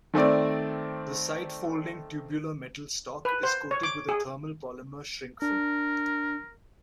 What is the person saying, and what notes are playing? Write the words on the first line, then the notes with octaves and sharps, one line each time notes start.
The side-folding tubular metal stock is coated with a thermal polymer shrink film.
D#3 A3 C4 D5
B4
C5
C#5
D6
G#4
D4 A#4